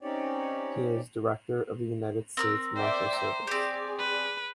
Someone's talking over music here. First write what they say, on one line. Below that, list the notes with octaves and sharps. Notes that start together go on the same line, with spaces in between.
He is Director of the United States Marshals Service.
C4 C#4 D#4 G4 C#5 D5
C4 A#4 E6
C5 D5 E5 G5
A#5
C4 G4 G#4 D5
B4